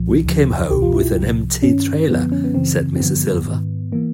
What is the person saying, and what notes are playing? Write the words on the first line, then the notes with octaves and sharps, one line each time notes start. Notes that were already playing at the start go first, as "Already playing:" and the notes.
We came home with an empty trailer said Mr. Silva.
Already playing: C2 A#2 F3
D2 C#3 F3
C2 B2 G4
F4
E4
C2 C3 F3
G2 D#3 C#4
F#2 D3 F3 B3
C#4
B3
F#2 C#3 E3 C4
C4
G2 D3 F3 B3
G#2 D#3
E3 A#3